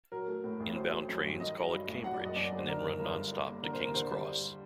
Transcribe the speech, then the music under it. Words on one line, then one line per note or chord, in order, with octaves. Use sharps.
Inbound trains call at Cambridge and then run non-stop to King's Cross.
F#3 A#4
A3
A2
A1
F#3 C5
A3
F#2
G1
D#3 D#5
F#3
G2
A1
F#3 F#5
D5
F#1
D#5
F#2 D5
D5
F#1
C5
D3 A#4
G1
G2 A#4
G1
G3
A#3
D3 A#4
C5
D#2 A#4
D3 C5
G3
G2